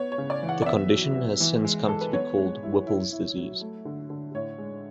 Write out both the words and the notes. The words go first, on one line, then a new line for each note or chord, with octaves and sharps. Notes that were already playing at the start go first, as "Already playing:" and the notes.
The condition has since come to be called Whipple's disease.
Already playing: B3 C#5
C#5
C#3
D5
E3
F#5
D5
B3 E5
F#3
B3
E3
G#3
G#3 A4
B4
B3 C#5
G#3
E4
E4
E4
F#3
A3
D3
D3
A2 C#5
G#3